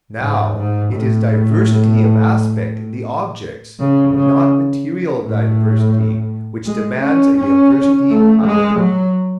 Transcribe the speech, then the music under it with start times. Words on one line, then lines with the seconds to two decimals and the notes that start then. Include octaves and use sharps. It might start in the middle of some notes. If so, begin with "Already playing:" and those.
Now, it is diversity of aspect in the objects, and not material diversity, which demands a diversity of powers.
0.21 G#2
0.57 G#2
0.93 A2
3.80 C#3
4.15 C#3
5.23 A2
6.66 G#3
7.01 C#4
7.37 C#4
8.10 A3
8.45 G#3
8.80 F#3